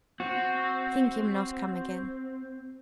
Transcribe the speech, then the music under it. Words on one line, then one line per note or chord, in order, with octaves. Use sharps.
Think him not come again.
C4 F#4